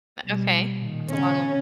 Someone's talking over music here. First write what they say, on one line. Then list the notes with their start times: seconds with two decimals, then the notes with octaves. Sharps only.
Eh okay, that's a long
0.23 B2 G3
0.76 A#2 D#3
1.10 C#3 C#4